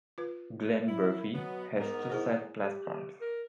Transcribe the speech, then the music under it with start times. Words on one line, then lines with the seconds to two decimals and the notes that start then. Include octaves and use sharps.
Glenbervie has two side platforms.
0.18 F4 B4
0.87 E4
1.33 B2 F#3 B3
1.79 G#2 B3 A#4
2.10 E4 G#4 C5
2.64 G4
3.21 A#4